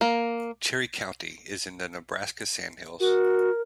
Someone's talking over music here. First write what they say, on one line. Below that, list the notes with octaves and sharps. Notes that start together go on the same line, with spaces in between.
Cherry County is in the Nebraska Sandhills.
A#3
F#4 A#4